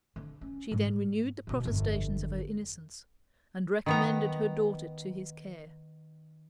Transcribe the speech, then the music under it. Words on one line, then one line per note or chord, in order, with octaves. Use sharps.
She then renewed the protestations of her innocence, and recommended her daughter to his care.
D3
C#4
G#2
E2 B2
G1 F2
D#3 B3 A#5